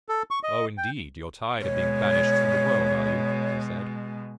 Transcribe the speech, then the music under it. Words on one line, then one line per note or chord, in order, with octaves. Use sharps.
'Oh, indeed; you're tired of being banished from the world, are you?' he said.
A4
C#6
D#5
G5
B2 G#3 C#5